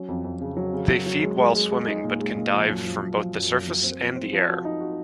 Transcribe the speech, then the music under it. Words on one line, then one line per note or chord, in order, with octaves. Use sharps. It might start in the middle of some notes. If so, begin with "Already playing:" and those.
They feed while swimming but can dive from both the surface and the air.
Already playing: F#3 C#4
F2
F2
C#3
F#3
C#3
F#3
F#3
G#3
G#3
G#3
G#3
D#4
A#2
G#3
A#2
F3
F#2
F3
F#2
F3
F#2
F#2
F#2
C4
F3
C4
F3
F#4
D#4
F#4